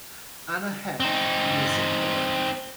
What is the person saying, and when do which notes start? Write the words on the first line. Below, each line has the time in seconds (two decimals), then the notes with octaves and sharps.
Anna Hepp lives in Cologne.
1.00 C4 D#4